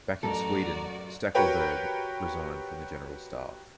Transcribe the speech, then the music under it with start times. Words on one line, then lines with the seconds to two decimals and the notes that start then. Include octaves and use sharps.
Back in Sweden Stackelberg resigned from the General Staff.
0.23 A1 F#2 F#4 A4 D5 A#5
1.35 F#4 G4 A#4 B4 C#5 G5